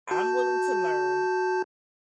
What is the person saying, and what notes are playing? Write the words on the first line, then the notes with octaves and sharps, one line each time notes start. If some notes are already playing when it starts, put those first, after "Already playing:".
I'm willing to learn,
F#4 A5 G6